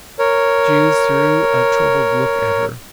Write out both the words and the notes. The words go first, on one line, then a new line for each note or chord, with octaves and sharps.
Jude threw a troubled look at her.
A#4 C#5